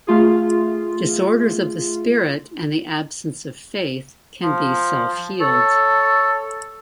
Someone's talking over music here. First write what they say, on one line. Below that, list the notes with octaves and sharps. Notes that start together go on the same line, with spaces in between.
Disorders of the spirit and the absence of faith can be self-healed.
A3 F4 G#4
F3
A4 C#5